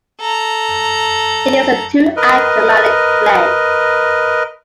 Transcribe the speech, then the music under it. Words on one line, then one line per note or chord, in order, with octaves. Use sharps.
It is a two-act dramatic play.
A4 A#5
A#4 B4 D#5